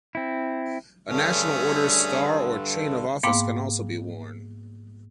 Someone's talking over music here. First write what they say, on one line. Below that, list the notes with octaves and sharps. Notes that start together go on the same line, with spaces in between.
A national order's star or chain of office can also be worn.
C4 E4
G2 D3 A3 C#4 G#4
G#2 A#3 B3 F5 G5 D6